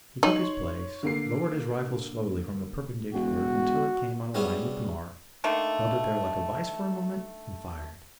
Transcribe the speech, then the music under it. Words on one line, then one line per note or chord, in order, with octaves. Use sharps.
He took his place, lowered his rifle slowly from a perpendicular until it came on a line with the mark, held it there like a vice for a moment and fired.
D#4 C#5 C6 F#7
D3 A#3 C7
E1 F#4
G3 B3 C#4 D4 E4 G#4
D3 D#3 A3 A#3